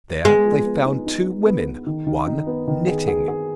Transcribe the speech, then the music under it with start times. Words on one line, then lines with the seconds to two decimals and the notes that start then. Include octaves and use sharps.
There, they found two women; one, knitting.
0.25 G#3 B3
0.45 F3
0.65 B3
0.86 D#4
1.06 D#4
1.26 D#4
1.46 B3
1.66 B3
1.86 D#3
2.07 D#3
2.27 D#4
2.47 B3
2.67 D#3
2.87 G#4
3.08 G#4
3.28 G#4